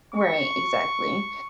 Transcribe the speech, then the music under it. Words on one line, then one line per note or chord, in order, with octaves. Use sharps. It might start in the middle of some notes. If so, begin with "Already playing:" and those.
Right, exactly.
C#6